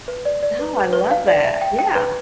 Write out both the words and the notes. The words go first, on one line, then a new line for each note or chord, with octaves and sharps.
Oh, I love that, yeah.
B4
D5
D5
B4
B4
B4
F5
D5
E5
G5
G5
B4